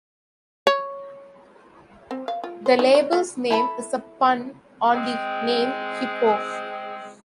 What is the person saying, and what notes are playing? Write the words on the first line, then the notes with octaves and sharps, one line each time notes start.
The label's name is a pun on the name 'hippo'.
C#5
C4
F5
F4
C5
D#4
C#5
A3
E4 A4 B5
G#3 C4